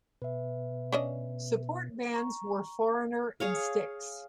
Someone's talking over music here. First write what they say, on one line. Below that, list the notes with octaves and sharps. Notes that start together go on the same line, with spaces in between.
Support bands were Foreigner and Styx.
B2 B4 E5
C#4 D4 D#5
A#5 C#6
G#4 C#5 F5